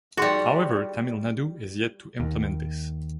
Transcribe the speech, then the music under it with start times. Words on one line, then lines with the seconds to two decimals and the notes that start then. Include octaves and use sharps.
However Tamil Nadu is yet to implement this.
0.17 G3 D#4 F#4 G#4 C6
2.20 D#2